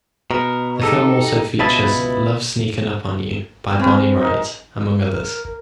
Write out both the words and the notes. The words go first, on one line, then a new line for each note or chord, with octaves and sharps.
The film also features "Love Sneakin' Up On You" by Bonnie Raitt, among others.
B2 A#4
D#4 G4 A4
C#2 B2 E4 B4 D#5 A5
C4 C#4 B4
D#4 A#4
A#4